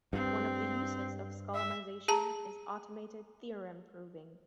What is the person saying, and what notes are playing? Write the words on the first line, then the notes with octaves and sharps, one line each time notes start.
One of the uses of Skolemization is automated theorem proving.
G2 C4
E5
G#4 A5 A#5